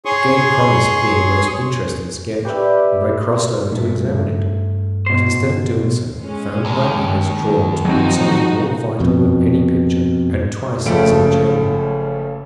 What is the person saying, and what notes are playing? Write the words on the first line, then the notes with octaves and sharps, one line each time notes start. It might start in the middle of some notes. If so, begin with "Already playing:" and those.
It gave promise of being a most interesting sketch, and I crossed over to examine it; but instead of doing so, found my eyes drawn toward something more vital than any picture and twice as enchaining.
G#4 C#5 C6 C#6 D#6
G4 B4 D5 E5
G2 A#2 A3
G2 A3
B2 C5
G#3 C#4
D#2
F3 F#3 C4 D#4 F#4
F2 B2
F#1 C#3 F3 A3 C#4 D7